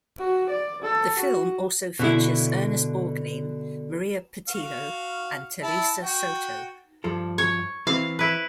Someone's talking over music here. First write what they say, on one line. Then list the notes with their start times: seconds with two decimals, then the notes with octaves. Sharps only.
The film also features Ernest Borgnine, Maria Pitillo, and Talisa Soto.
0.18 F#4
0.50 D5
0.82 A4
1.19 F#4
1.99 B2 D3 E4
4.49 F#4 F5
5.63 E4 A5
6.03 F#4 G5
7.04 G2 F3 A4
7.38 C#5
7.87 E3 C4 F5
8.19 E4 B4